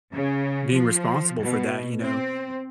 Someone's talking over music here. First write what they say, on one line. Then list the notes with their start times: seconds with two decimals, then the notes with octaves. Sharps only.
being responsible for that, you know.
0.13 C#3
0.73 F3
1.40 B2
2.01 C4